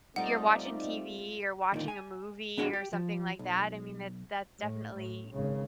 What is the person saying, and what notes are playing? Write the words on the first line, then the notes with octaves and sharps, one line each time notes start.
you're watching TV, or watching a movie, or something like that, I mean, it that's definitely
G3 A3 C4 D#4 F4 D5 F#5
D2 A#2 D#3
G#5
A2 B3 D4 F#4 G#4 F#5
G4
F3
B1
A2
A2
G#1 C#3